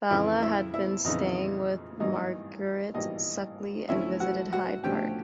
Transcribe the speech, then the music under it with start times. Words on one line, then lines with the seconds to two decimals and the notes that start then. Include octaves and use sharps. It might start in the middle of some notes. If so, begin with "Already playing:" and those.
Fala had been staying with Margaret Suckley and visited Hyde Park.
0.10 F2 C#3 E3 E4 E5
0.42 E4 E5
0.74 E4 E5
1.05 F2 C#3 E3 D#4 D#5
2.00 G#1 G2 E3 G3 A#3 D#4 D#5
2.94 G#1 G2 E3 G3 A#3 D#4 D#5
3.89 D2 D3 F3 A3 C#4 E4 E5
4.20 F#4 F#5
4.53 F#4 F#5
4.83 D2 D3 F3 A3 C#4 G4 G5